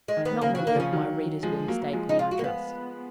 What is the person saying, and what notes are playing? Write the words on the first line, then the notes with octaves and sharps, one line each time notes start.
Not many of my readers will mistake me, I trust.
G#3
D#3
B3
C#3 A#3
F#3
D#3
A#3
C#3 F3 C#4
D#3 F#3
F3 G#3
F#3 A#3
A#3
F3 G#3
D#4
F4
F#4
A#3
B3